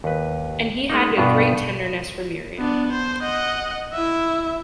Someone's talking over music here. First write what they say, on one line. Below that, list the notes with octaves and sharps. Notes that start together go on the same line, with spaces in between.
And he had a great tenderness for Miriam.
D#2 B4
G#3 A#3 D#4
G2 B2 B3 D4 F4
B3 D4
C5
D#5 F#5
E4 E5